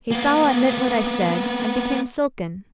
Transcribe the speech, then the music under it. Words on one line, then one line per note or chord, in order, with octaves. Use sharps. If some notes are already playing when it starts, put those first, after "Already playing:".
He saw I meant what I said, and became silken.
A#3 B3